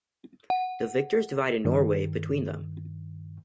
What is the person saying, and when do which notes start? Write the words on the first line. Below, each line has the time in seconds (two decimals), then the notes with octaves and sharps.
The victors divided Norway between them.
0.50 F#5
1.65 G2 D#3